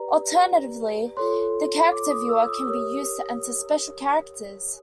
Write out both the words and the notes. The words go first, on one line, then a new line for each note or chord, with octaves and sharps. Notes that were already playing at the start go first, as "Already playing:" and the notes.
Alternatively the Character Viewer can be used to enter special characters.
Already playing: G4 B4 D5 A#5
F4 A4 C#5 C6
D6
D#6
E6
D#6
E6
G4 A#4 C#5 D#6